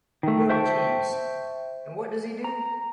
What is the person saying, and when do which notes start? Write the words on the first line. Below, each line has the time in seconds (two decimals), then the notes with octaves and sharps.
You go to Jeeves, and what does he do?
0.23 D#3 A3
0.50 C5 E5 G5 A5 C#6
2.44 A#5